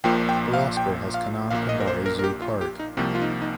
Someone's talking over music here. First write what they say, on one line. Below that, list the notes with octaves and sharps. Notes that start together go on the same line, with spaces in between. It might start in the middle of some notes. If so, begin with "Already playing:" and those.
Bilaspur has Kanan Pendari Zoo Park.
A#1 A#2 F3 A#3 G5
G5
F5
G5
F5
A#1 A#2 A#3 F5
D#5
A#4
C5
A#4
A#4
G4
F4
G4
D#4
C2 C3 F3 A#3 C4
F4
D#4
D#4